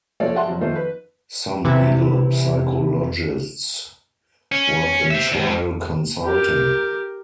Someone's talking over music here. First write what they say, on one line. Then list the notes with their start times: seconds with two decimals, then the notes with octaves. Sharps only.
Some legal psychologists work in trial consulting.
0.20 F3 A3 F#4 A4 C#5 D5
0.35 G#4 D5 E5 F#5 A5 C6
0.47 F2 F3 F#3
0.61 D#3 F3 A3 C5 D#5
0.76 B4
1.65 C3 E3 E4
4.52 C#4
5.11 C5 E5
5.32 E2 G#2
6.26 G4 A#4